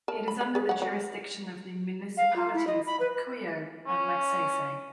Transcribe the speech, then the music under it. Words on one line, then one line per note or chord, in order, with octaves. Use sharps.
It is under the jurisdiction of the municipalities of Cuyo and Magsaysay.
A#4 A5
B5
B4
G#4 B4
C#5 F#5
F#3
F5
F4
E4
D#5
B5
B4
C#4